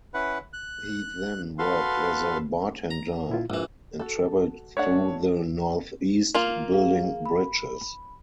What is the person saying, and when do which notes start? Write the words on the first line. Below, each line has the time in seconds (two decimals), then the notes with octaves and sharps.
He then worked as a bartender and traveled through the Northeast building bridges.
0.14 C#4 E4 B4 F#5
0.53 F#6
1.59 F#4 A4 B4 F5 C6
2.91 A#5
3.29 A#2 E4 F4
3.50 A#1 G#2 E3
3.99 F#4 A4
4.77 A3 D4 C#5 F#5
6.34 A#3 F4
6.72 G#4 F5
7.26 B5